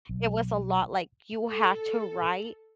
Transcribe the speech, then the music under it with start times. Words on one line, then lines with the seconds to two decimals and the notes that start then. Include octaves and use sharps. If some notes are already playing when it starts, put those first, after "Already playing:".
it was a lot, like, you had to write
0.09 B1
1.49 A4